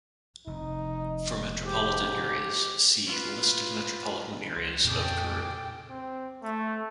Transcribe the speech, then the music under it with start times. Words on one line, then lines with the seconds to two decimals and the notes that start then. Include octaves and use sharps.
For metropolitan areas see List of metropolitan areas of Peru.
0.47 F1 D#4
1.63 G#2 G4
3.06 F4 B4
4.55 C#2 C6 A#6
4.85 F2 A#2 C#3 G#4 A4 G5 D6 D#6
5.90 C4
6.43 A3